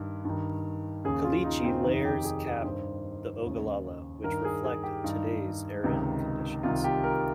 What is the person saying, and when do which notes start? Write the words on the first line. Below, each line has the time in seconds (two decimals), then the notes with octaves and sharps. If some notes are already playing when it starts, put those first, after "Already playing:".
Caliche layers cap the Ogallala, which reflect today's arid conditions.
Already playing: G2 D#3
0.25 G2 D#3
1.04 D#2 C#3 G#4
1.24 F4
1.44 D#4
1.65 C4
1.84 F2 C3 D#3 D#4
2.05 G4
2.24 G#4
2.45 G#4
2.64 G2 D#3 C5
3.44 D#2 C#3
4.24 G2 D#3 A#4
4.45 G#4
4.64 G#4
4.83 G4
5.04 G2 D#3 D#4
5.84 C#2 C3 D#3
6.63 C2 C3 D#3 F4
6.84 G4
7.04 A#4